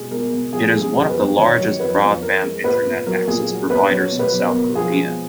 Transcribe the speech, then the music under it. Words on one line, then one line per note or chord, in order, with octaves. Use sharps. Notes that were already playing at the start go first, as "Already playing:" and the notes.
It is one of the largest broadband Internet access providers in South Korea.
Already playing: B2 G#3 G#4
G#3 A#4
B2
F3 G#4
G#3
G#4
F#2
B4
F#2
D#3 C#5
F#3
F2 B4
F2
F3 A#4
G#3
A#2 B4
A#2
F#3 A#4
A#2 G#4
F#3
A#2 B4
F#3 C#5
B2
B4
F#3
A#4
B2
F3 G#4
G#3